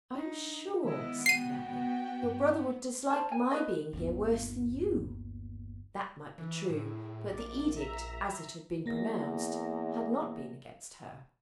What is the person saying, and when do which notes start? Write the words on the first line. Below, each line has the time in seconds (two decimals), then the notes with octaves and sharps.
"I am sure," said Mary, "your brother would dislike my being here worse than you." That might be true, but the edict, as it had been pronounced, had not been against her.
0.15 D4 D#4
0.84 D#3 G#3 B3 E4 D#5
1.26 F#4 G5 C7 D#7
2.23 G2
3.10 C5 A5
3.32 G#5
3.51 B4 D#5
3.93 G1 D#2
6.38 E3
6.70 A2 E4 G#4
7.29 A#1 A#3 D5
7.76 E5 A#5
8.86 E2 A#3 A#6